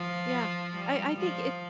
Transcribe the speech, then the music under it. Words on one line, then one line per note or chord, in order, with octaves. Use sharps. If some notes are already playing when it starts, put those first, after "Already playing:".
yeah, I I think it's
Already playing: F3
G3
F3